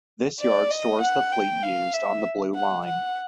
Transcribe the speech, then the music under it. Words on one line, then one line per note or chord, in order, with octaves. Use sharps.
This yard stores the fleet used on the Blue Line.
D5
D#5
F#5
G5
F5
E5
F#5
F#5